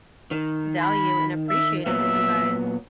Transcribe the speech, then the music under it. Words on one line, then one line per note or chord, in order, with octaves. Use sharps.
value and appreciated that you guys,
D#3
B5
E5
A#2 F#3 B3 E5